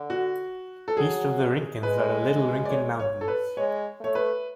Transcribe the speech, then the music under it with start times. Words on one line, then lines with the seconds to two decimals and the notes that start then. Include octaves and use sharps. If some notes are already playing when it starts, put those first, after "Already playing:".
East of the Rincons are the Little Rincon Mountains.
Already playing: D3
0.10 F#4
0.88 A4
0.97 F#3 G#4
1.83 G#3 B4
2.65 D5
2.70 C#5
3.00 C#5
3.21 A4
3.28 B4
3.57 G#3 C#5
4.00 A3 C#5
4.15 B4